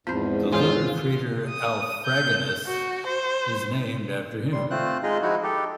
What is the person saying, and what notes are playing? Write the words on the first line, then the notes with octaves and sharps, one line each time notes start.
The lunar crater "Alfraganus" is named after him.
E2 G#2 F3 B3 C4 C5
E3 F4 G#4 C5 C#5 C6
D#6
G6
F#4
C5
G3 C6
A3 C4 F4 C5 F#6
G#3 D#4 F4 G#4 D#5
F3 G#3 D#4 E4 F#4
D#4 G4 A4